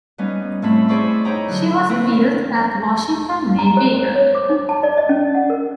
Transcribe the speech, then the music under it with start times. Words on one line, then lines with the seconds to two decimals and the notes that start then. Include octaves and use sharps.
She was built at Washington Navy Yard.
0.18 G3 B3 C#4 D#4
0.62 A2 A3 C4 E4 B5 C#6
0.88 G#4 C5 D5 B5 C#6 E6
1.24 D#4 E4 C#5 G5 A#5 B5
1.48 D3 F#3
1.89 A#3 C4 A#4 B4 B5
3.58 A#5
3.77 C5
3.97 C5
4.15 C#5
4.35 D6
4.50 D#4
4.69 A5
4.83 D5
4.97 D#5
5.09 C#4
5.35 F#5
5.50 A#4